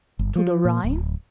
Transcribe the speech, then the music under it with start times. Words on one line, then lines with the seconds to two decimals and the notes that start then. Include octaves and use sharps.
To the Rhine?
0.19 G1
0.36 F3
0.65 A#2
0.84 D1